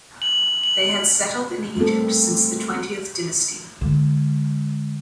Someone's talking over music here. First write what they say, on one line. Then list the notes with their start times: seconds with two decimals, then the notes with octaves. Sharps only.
They had settled in Egypt since the Twentieth Dynasty.
0.22 F#7
0.64 F#7
1.76 G3 A3 A#3 C4 A4
3.81 D3 G#3